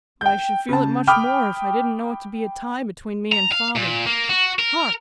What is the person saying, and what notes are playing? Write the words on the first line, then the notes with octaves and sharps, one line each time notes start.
But I should feel it much more, if I didn't know it to be a tie between me and father.--Hark!
G5 G6
C#3 A5
G5 B5 D6 D#6 F6
A#5
F5
A#2
A#3
F#4
A#4